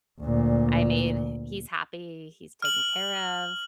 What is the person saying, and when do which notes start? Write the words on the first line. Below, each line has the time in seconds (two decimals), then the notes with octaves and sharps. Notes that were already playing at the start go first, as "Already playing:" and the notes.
I made he's happy, he's taken care of
0.21 D2 A#2
2.62 F6 F#7